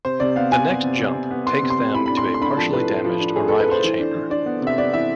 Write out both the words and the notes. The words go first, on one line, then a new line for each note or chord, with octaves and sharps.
The next jump takes them to a partially damaged arrival chamber.
C3 C5
C3 D5
B3 F5
B3 G#5
B3
C3
C3
C3
B3
B3 C6
C3
C6
C3
A2 B5
D4 B5
C6
A3
C6
D4 B5
F3 A5
A2 B4
A3
F3
D4
A3 G#4
A3 A4
B4
A3 C5
E3
D4
E3
D4 D5
B3
C3 E5
B3 D5
E3 E5